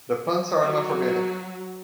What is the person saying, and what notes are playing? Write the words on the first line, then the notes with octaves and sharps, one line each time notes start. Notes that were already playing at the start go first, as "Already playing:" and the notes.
The plants are hermaphroditic.
F#3